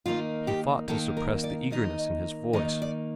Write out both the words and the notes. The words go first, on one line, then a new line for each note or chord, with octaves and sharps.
He fought to suppress the eagerness in his voice.
D#3 A#3 D#4 F4
G4
D#3 A#3 D#4 A4
A#4
D5
D#3 A#3 D#4 D#5
D#3 A#3 D#4 D#5
D5